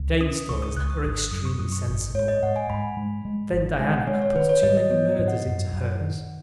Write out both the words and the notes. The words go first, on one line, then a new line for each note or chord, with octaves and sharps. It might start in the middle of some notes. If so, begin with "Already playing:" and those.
Jane's stories are extremely sensible. Then Diana puts too many murders into hers.
Already playing: C#2
C#4 D#6
C#2 C#6
D#6
C#2 F#6
D#6
G#1 D#6
F#6
F#2 D#6
C#6
F#2 D#6
C#6
G#1
G#2 C#5
D#5
G#2 F#5
G#5
G#2 B5
G#3
G#3
G#1
G#3 G#5
F#5
G#3 C#5
C#5
D#3 B4
C#5
G#2 D#5
D#5
B3 C#5
D#5
G#2
F#5
F#2
F#2
D#3